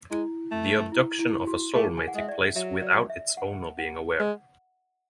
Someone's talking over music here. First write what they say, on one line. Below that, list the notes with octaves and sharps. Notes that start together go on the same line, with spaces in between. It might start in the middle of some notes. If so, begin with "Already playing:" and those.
The abduction of a soul may take place without its owner being aware.
G#3 E4
A3
E4
E4
F#4
A3 G#4
G#5
F#5
G#3 E5
D5
F#3 E5
D5
E5
F#5
F#5
G#3